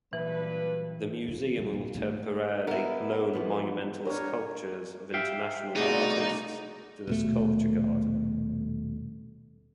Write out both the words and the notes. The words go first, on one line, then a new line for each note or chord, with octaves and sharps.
The museum will temporarily loan monumental sculptures of international artists to the sculpture garden.
G2 A#2 E3 F#3 B4
D#3
A#2 G3
A#1
G#1 A3
B3 E4 A#4
E3 F3 B4
D4 G4 A#4 C#5 D#5
G4 E5 F5 G5
C2 B2 A3 D#4 F#4 G#4 D5
D#1 B2 A3